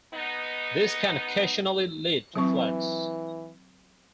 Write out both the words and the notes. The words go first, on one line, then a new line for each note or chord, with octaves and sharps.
This can occasionally lead to floods.
B3 D#4
E3 F#3 C4 C#6